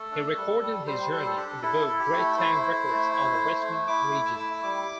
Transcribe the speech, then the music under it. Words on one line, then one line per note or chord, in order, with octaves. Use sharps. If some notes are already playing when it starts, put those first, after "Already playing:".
He recorded his journey in the book "Great Tang Records on the Western Regions".
Already playing: A3 A4
D4
G3
G3
G3 C5
G3 A4
C5
A4
D4 G4
E4 A4
A4
E4
G4
A3
A4
E4 C5
E4
A3
E4
A3
A3
E4 D6
A3
E6
E4
G3 D6